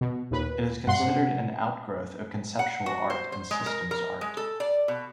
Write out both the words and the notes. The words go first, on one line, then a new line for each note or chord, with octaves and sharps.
It is considered an outgrowth of conceptual art and systems art.
B2
D#2 A#2 B4
G2 F#5 C6
C3
F#5
F#4
C5
C5
G#3
A#4
A#4
G#3
A4
D5
B2